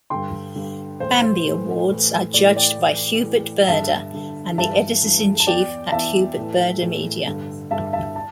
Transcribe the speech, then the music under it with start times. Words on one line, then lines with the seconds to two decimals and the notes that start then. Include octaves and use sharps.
Bambi awards are judged by Hubert Burda and the editors-in-chief at Hubert Burda Media.
0.10 G2 D3 G5 C6
0.55 G2 D3
1.00 A2 E3 C5
1.22 C5
1.45 A2 E3
1.90 A2 E3
2.34 A2 E3 D5
2.56 D5 G5
2.79 A2 E3
3.23 A2 E3
3.64 G5
3.68 G2 D3 E5 A5
4.13 G2 D3
4.58 G2 E3 E5 A5
5.03 G2 E3
5.40 A5
5.47 E2 E3 D5 G5
5.92 E2 E3 E5 A5
6.37 A2 E3
6.82 A2 E3
7.26 G2 D3
7.71 G2 D3 E5 A5
7.93 E5 A5
8.16 A5